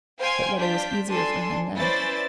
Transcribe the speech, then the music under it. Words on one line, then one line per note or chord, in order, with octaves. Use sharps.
But yet it was easier for him then.
C5 F5 G5 G#5 C6 G#6
D4 F4 G6 B6
D4 A4 G#5 C6
C#4 E4 B4 C5 D5 A6